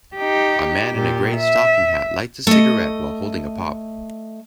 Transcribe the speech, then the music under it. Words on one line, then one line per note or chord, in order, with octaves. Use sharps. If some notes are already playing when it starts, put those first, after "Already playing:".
A man in a gray stocking hat lights a cigarette while holding a pop.
D#4 G4
A#2 G4
E5
A3 D#5